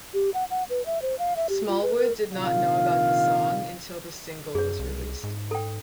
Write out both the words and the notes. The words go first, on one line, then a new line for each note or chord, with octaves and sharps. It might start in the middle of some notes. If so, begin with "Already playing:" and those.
Smallwood did not know about the song until the single was released.
G4
F#5
F#5
B4
E5
C5
F5
E5
G4
F4
B4
A#4
A#1 C3 D#3 F4 F5
F#2 G#4 C#5
C2
G#2
A4 G5